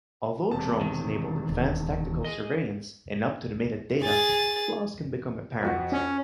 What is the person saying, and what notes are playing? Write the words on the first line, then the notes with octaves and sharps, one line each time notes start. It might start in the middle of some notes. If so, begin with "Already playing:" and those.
Although drones enable advance tactical surveillance and up-to-the-minute data, flaws can become apparent.
E1 C3 A5
D#3
D#1 D2
G#4 D#5 G7
G#4 A6
F2 F#4 F#5
C#4